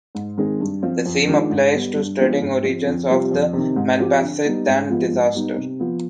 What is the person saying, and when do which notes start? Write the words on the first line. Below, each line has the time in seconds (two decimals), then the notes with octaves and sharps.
The same applies to studying origins of the Malpasset dam disaster.
0.15 G#2
0.38 D#3 G#3 C4
0.60 G2
0.82 F3 C4 F4
1.06 F2
1.28 D#3 G#3 D4 F4
1.50 G#2
1.73 G3 B3
1.96 G2
2.19 F3 G#3 B3 D4
2.41 G#2
2.64 F3 C4
2.86 F2
3.09 C3 G3 C4 F4
3.31 F2
3.53 C3 D#3
3.76 G#2
3.99 F3 C4 G4
4.22 D3
4.45 G3 B3 D#4
4.66 G#2
4.90 F3 G#3 B3 F4
5.12 G#2
5.35 G3 B3 D#4
5.57 C3
5.79 F3 B3